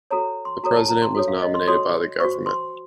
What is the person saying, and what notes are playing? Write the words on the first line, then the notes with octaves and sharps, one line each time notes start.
The president was nominated by the government.
F#4 A4 C#5 A#5
C6
F#4 A4 C#5 A#5
A5
A#5
C6
F#4 A4 C#5
F5
D#5
C6
F#4 A4 C#5 C6
F#4 C5 C#6
C6